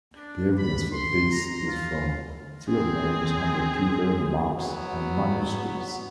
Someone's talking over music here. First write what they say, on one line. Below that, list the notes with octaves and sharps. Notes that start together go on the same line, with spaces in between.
The evidence for this is from field names on tithe maps and manuscripts.
D4
B5
C6
A#5
F4
C4 G#4
F#3 B3